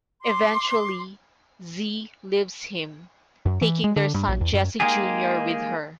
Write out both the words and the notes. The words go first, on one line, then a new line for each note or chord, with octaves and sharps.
Eventually Zee leaves him, taking their son Jesse Junior with her.
C6 D6
F#2
E3
G#3
D3
G2
A#1
E2
F#2
G#3 A#3 D#4 G4 G#4